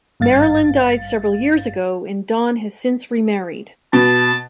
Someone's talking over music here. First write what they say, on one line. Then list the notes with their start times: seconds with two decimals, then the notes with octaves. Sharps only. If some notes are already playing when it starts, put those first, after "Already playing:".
Marilyn died several years ago and Don has since remarried.
0.20 G#1 G2 F5 A6
3.93 B2 A5